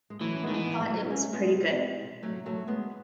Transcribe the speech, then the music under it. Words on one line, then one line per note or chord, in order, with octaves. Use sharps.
I thought it was pretty good.
G#3
E3 F#3 A3
C#4
D#3 G#3 B3
E3
G#3 B3
G#3
F#3 A3
B3
A3 C#4
G#3 B3
F#3 A3
F#3 A3
G#3 B3